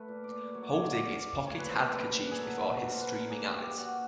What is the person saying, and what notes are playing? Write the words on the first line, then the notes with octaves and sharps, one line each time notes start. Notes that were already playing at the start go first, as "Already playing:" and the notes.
Holding his pocket handkerchief before his streaming eyes.
Already playing: A3 B4
A#2
D5
F#3 C#5
D5
C#5
D5
A#2
D5
A3 C#5
B4
C5
A#2 B4
G#4
F#3 A4
A#2
C5
B4
A#4
A4
A#3 G#4
G4
A#2 F#4